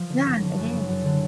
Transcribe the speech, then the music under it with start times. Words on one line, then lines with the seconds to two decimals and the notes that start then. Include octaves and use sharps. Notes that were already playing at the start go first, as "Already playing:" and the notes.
Yeah, it is.
Already playing: F3
0.09 D3
0.25 F#1
0.42 D3
0.57 F#2
0.73 F#1
0.89 F#2
1.05 D3